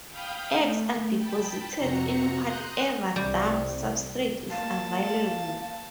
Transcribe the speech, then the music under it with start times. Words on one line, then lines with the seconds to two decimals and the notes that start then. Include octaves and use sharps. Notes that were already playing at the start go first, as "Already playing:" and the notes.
Eggs are deposited in whatever damp substrate is available.
0.11 F5 G5 B5 D#6 F6 G6
0.57 A3
1.19 G5 A5 B5
1.76 F2 C3 C4 F#4 A#5 C#7
2.44 A#5 C6 D#6 F#6 G6
3.16 C2 C3 G3
4.51 A#3 F5 A5